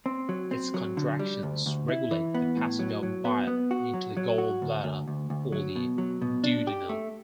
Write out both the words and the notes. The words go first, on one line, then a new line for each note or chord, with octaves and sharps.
Its contractions regulate the passage of bile into the gall bladder or the duodenum.
C4
F#3
C4
F#3
D3
G3
D2
D2
E4
E3
B3
A2
F#3
F#3
B3
B3
F#4
F#3
F#3
F#4
D2
D2
D2
D2
F#3
B2
F#3
B2
D4
G4
A3